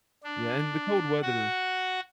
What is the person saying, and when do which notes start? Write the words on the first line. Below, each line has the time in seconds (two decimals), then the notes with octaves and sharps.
Yeah, and the cold weather
0.24 D4
1.22 F#4 F#5